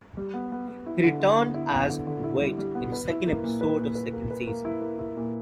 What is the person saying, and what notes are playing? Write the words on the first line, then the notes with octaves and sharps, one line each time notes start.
He returned as Wade in the second episode of the second season.
G3
B3
B3
B3
E4
D3
D3
B3
E4
B3
D3
D3
E4
G3
G3
B3
B4
E4
A#3
A#2
B4
A#2
B4
A#3
B4
A#3
E4
A#3
E4
A#2